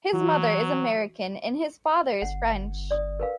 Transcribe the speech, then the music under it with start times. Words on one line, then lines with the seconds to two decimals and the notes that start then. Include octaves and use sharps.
His mother is American and his father French.
0.13 E3 F#3 F#4
2.22 G1 F#5
2.91 D5 D#6
3.20 A#4 B4 F5